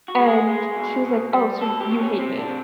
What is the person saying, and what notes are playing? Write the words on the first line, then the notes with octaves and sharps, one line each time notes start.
And she was like, "Oh, so you hate me."
F#4
G#3
G#4
G#3
B2
B2
G3
B2 A4
G4
B2
C#4
C3 C4
D4
C3